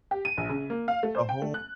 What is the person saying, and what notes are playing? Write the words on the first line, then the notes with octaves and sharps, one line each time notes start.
the whole
G4
D#7
A#1
C#3
A#3
F5
A3
C5
G5
A3
F#6